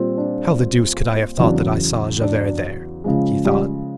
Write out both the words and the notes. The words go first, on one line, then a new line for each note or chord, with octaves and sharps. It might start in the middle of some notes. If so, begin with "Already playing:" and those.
"How the deuce could I have thought that I saw Javert there?" he thought.
Already playing: A#2 G3 C4
D4
E2 C#3 F#3 D4
D4
C#3 F3 G#3
G3 G4